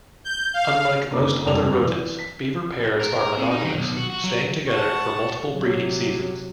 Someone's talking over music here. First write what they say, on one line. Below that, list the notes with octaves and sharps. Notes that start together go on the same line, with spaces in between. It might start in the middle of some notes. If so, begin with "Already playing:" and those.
Unlike most other rodents, beaver pairs are monogamous, staying together for multiple breeding seasons.
G6
F5
F#1 C2 A#3 D#4 D6
F1 C2 G2 G3 G#3 F7
E3
B6
A#4
A#4
C3
D#4
D#3
B1
F#4
F#4
F#3
F#5 A5 C#6
C3 F#3